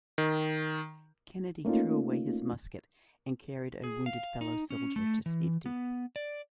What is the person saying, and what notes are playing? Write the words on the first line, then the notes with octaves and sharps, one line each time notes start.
Kennedy threw away his musket, and carried a wounded fellow-soldier to safety.
D#3
A3 A#3 C#4 D#4 F4
G#4
F5
D#4
C#4
A3
E3
B3
D5